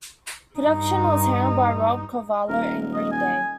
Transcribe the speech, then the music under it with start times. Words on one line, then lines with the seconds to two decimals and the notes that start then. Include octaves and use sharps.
Production was handled by Rob Cavallo and Green Day.
0.59 G2 D#4
2.49 D#1 A#4
2.94 D#5
3.12 G#5